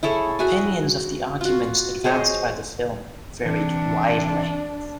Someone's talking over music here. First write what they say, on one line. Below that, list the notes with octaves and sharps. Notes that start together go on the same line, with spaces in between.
Opinions of the arguments advanced by the film varied widely.
E4 G#4 A4 C#5
F#4 G#4 E5 G#5
F4 F#4
G#4 C5 C#5 D#5
C3 E3 D4